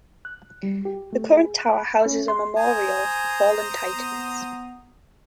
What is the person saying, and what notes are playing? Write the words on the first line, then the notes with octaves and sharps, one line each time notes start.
The current tower houses a memorial for fallen Titans.
F#6
G3
G4
A3
G#4
F#6
B5
C#4
C6
C5 G#5 A#5 D#6
B3